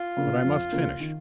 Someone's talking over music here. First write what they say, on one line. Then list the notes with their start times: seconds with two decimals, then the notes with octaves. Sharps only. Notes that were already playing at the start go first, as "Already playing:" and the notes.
But I must finish.
Already playing: F4
0.17 C#3 F3 A#3 D4
0.44 F2
0.72 C#3 F3 A#3 D4
1.00 D#3